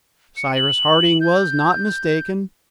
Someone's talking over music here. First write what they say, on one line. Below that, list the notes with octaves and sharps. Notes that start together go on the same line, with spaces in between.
Cyrus Harding was not mistaken.
C#7
F#7
G6